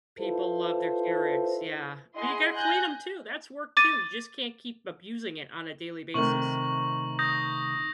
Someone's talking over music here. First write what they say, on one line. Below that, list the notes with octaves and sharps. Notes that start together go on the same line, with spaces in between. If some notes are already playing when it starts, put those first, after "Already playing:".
People love their Keurigs, yeah. But you gotta clean 'em too, that's work too. You just can't keep abusing it on a daily basis.
E4 F4 A4 B4 C5
E4 G#4 D#5 F#5 C6
G#5 F#6 G6 A#6
D6 A6 D#7
C3 D#3 A3 C#6 F#7
D#6 G6 A#6